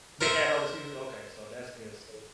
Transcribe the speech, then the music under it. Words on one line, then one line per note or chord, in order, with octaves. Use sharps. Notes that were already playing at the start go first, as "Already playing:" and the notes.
They had all the seasons? Okay, so that's good, so
A#4 C5 E5